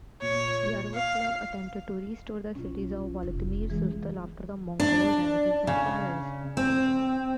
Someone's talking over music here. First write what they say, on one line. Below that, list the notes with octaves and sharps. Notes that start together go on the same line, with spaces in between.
Yaroslav attempted to restore the cities of Vladimir-Suzdal after the Mongol ravages and fires.
A#2 C#5
F5
B1 C#4 F4
F1 D#4
E3 G#3 G#4
D4
C#3
C4